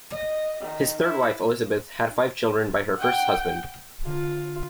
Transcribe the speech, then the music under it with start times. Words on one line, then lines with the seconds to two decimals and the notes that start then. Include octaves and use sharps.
His third wife Elizabeth had five children by her first husband.
0.12 D#5
0.61 D#3
1.02 E4
2.97 F#5 G5
4.05 D3 F4 A#4